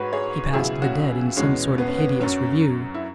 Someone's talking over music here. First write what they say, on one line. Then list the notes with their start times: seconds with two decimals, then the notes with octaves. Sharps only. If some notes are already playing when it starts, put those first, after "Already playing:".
He passed the dead in some sort of hideous review.
Already playing: G#2 G#3 F#4 B4 C#5
0.13 G#4 C#5
0.53 C#2 B2 F#3 E4 G#4
0.82 C#4 F#4
1.36 E2 B2 G#3 C#4
1.78 B3
1.88 C#4
1.97 B3
2.20 F#2 F#3 C#4
2.94 E4